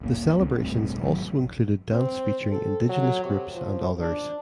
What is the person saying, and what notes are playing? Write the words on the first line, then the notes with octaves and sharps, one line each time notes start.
The celebrations also included dance featuring indigenous groups and others.
D1 G1 A#3
C#2 B3 C4
E1 G2 A3 C4
G#1 C#2 G#2 F#3
C4
A4
F#3
C3
F3
D4